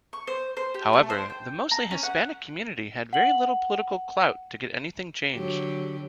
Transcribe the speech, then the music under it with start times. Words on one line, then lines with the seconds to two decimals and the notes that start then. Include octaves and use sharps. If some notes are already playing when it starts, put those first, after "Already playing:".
However, the mostly Hispanic community had very little political clout to get anything changed.
0.13 C#6
0.27 C5
0.57 C5
0.74 G4
0.93 A3
1.10 C5
1.30 G5
1.71 A#5
1.91 C#4
2.03 F#5
3.13 F#5 F#7
5.34 D3 F#3 G4